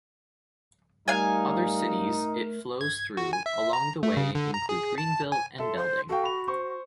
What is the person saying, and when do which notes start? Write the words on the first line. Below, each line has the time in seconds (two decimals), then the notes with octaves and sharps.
Other cities it flows through along the way include Greenville and Belding.
1.08 G3 A3 D#4 A#4 F5 G#5
2.81 G#6
3.17 F#4
3.33 G#5
3.46 E5
3.73 A#5
4.03 A3
4.17 C#3
4.35 D3
4.54 A#5
4.69 G#4
4.98 A5
5.32 G#5
5.59 A4 E5 C6
5.77 C5 C6
6.09 F#4 A4 F5 G5
6.24 B5 F7
6.47 C5 C#6